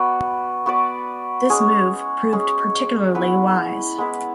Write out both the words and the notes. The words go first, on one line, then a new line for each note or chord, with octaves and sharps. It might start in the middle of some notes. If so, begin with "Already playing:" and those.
This move proved particularly wise.
Already playing: B3 F#4 B4 D5
B3 F#4 B4 D5
G#3 C#4 G#4
G#3 C#4 G#4
G#3 B3 E4 B4
G#3 B3 E4 B4